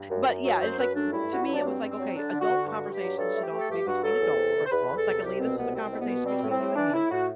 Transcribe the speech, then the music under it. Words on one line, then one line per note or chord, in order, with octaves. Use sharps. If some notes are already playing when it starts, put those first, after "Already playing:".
but, yeah, it's like, to me, it was like, okay, adult conversations should also be between adults, first of all. Secondly, this was a conversation between you and me
Already playing: G2
F#2
F#2
F#3
F#2 C5
F#2 B4
A3 D4
G2 E4
G2 F#4
F#3 E4
D4
G2 C4
G2
C4
F#3
D3 D4
D3
F#4
D3
G2 F#4
G2
G4
F#3
G2 A4
A3
G4
A3
A4
G2 G4
G2 F#4
F#3 A4
E2
C3
E2
C5
E2 B4
E2
A4
C3
C2 G4
B2 C4
C2 B3
C2 C4
B2
B3
B2
G3 C4
A2
C4
A2
E3 D4
A2 E4
A2 F#4